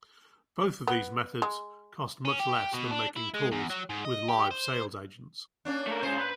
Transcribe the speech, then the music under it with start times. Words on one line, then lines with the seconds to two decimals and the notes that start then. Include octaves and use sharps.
Both of these methods cost much less than making calls with live sales agents.
0.87 B3
1.42 G#3
2.25 C#4
2.39 G4
2.73 B2
2.91 D4
3.16 E4
3.34 G#3
3.52 E2
3.70 F#3
3.89 G#2
4.05 D#5
4.28 G4
4.51 C5
5.65 A#3 C#4 D4
5.87 A3 A#4
6.02 A#2 C#3 G#3 C5
6.18 B4 B5